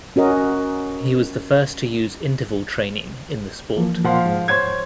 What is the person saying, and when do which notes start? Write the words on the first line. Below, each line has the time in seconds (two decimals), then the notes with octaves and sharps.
He was the first to use interval training in the sport.
0.16 C#4 F#4 A#4 D#5
3.76 E3 F3 A#3
4.04 A#2 F3 F5 F#5 C6
4.26 G#2
4.48 C5 C#5 G#6